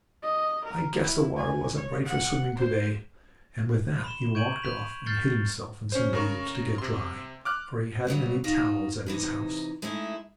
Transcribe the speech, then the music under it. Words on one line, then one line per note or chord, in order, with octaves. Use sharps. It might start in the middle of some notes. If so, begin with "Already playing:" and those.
"I guess the water wasn't right for swimming to-day," and with that he walked off, and hid himself in some leaves, to get dry, for he hadn't any towels at his house.
D#5
A#4
E4
G#5
C#5
F#5
C5
B5 C6 E7 G7
C#6 G6 G#6 D7 D#7 F#7
F#6 B6 F7
F6 G6 A6 C7 C#7 G7
C#4 C5
C#3 A#4 C#6
C3 C6
D6 F6 F#6
A#2 C#3 F#3 G3
D#4 F4 F#4 D#5
C3 E3 D#4
G#3 A3 C#4 D#4 E4